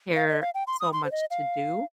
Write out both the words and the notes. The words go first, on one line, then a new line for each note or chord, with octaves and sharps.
care so much to do,
F5
D#5
F5
G5
C6
D#6
C6
C5
D#5
F5